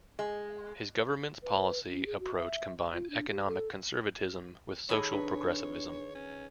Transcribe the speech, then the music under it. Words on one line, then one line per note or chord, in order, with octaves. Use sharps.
His government's policy approach combined economic conservatism with social progressivism.
G#3
B4
C#4
G#4
F#4
E5
F4
D4
G4
A4
D#3 D#4 G#4 A4 C#5 D#5 B5
D4 B4
C#4